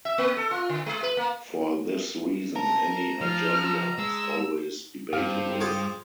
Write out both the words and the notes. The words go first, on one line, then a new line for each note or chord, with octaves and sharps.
For this reason, any agenda is always debatable.
E5
A#3
A4
F4
D3
G#3
B4
A#3
A#4 A5 A#5
F3 F6
G#3 E6
G2 C4 F5
F4 G#4 C5